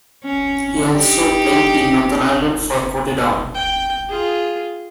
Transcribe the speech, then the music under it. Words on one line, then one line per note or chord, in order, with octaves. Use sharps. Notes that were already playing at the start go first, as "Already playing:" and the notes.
He also played in Northern Ireland for Portadown.
C#4
D#4 G4
G5
F4 G#4